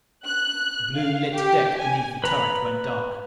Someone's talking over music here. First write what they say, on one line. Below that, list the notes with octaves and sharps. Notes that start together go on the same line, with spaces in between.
The blue lit deck beneath the turret went dark.
F#6
F5
G4
G#5
B4 A#5 B5